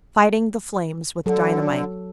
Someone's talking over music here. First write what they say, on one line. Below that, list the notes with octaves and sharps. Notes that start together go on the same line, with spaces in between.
Fighting the Flames With Dynamite.
D3 F#3 A4